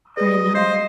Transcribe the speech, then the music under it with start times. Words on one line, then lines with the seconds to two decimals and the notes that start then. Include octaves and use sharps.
I know.
0.17 G#4 B4 D5 D#5
0.55 C5 D#5 F5 C6